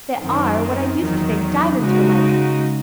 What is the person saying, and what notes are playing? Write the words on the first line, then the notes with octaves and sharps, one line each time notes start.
They are what I used to think diamonds were like.
F#2 D#3 F#3 C4
E2 D#3 F#3
C#3 G#3 D#4 F#4